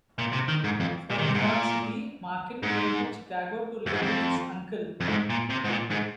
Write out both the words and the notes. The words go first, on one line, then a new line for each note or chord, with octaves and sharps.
From New York City, Markin went to Chicago to live with his uncle.
A#2
C3
D#3
G#2
F2
A#2
D#3
C3
G#2
A#2
G#2
F2
G#2
F2
F2
G#2
A#2
C3
G#2
A#2
G#2